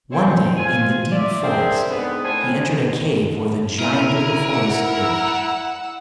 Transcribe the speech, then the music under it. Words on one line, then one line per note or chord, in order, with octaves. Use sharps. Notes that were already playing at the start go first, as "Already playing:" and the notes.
One day in the deep forest he entered a cave where the giant of the forest lived.
C4 F4 C5 C#5 G5 G#5
C4 F4 C5 G#5
F4 D5 E5
C4 D4 G#4 A#4 E5 G5
G#2 D3 B3
A2 C4 C5 G#5
E4 A#4 D#7
F#5 E6